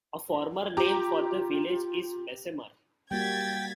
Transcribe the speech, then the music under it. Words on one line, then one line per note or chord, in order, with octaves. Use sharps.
A former name for the village is Bessemer.
F4 G4 A#5 D6
G3 A#3 F#4 G5 G#6 A6 B6